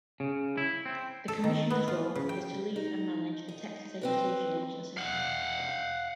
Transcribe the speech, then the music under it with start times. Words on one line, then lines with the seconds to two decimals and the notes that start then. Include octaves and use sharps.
The commissioner's role is to lead and manage the Texas Education Agency.
0.20 C#3
0.57 E4
0.85 C4
1.28 A4
1.44 D#3
1.70 B3
1.88 F4
2.15 C#3
2.29 G5
2.76 D#4
3.48 D#4
4.01 C4 B4 D#5
4.97 F5 F#5